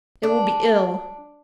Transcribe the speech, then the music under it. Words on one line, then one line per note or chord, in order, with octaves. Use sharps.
It will be ill.
D4